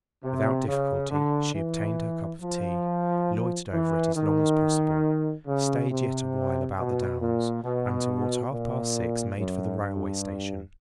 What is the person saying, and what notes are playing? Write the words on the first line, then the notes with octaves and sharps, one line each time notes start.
Without difficulty she obtained her cup of tea, loitered over it as long as possible, strayed yet awhile about the Downs, and towards half-past six made for the railway station.
C3
C#3
D3
E3
F3
E3
D#3
C#3
C3
B2
A#2
B2
A#2
F#2
G2